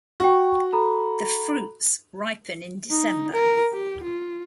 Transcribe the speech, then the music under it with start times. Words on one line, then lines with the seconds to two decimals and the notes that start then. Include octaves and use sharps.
The fruits ripen in December.
0.20 F#4 G5 C#6
0.73 A4 A#5 B5
2.91 D#4
3.33 A#4
3.73 G4
4.03 F4